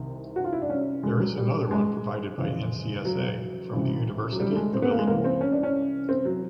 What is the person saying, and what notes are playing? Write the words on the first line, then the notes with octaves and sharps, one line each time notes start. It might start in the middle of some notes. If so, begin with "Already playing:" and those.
There is another one provided by NCSA from the University of Illinois.
Already playing: C2 C3 D#3
F#4
F4
E4
D4
C#4
C#2 B2 G#3
F#3
G3
G#3
F2 C#3 E3
F#3
C#2 C3 E3
F#3
G3
A3
G#3
C4
B3
A#3
G#3
C2 C3 E3 A#3
C4
C#4
D4
C#4
C4
F#3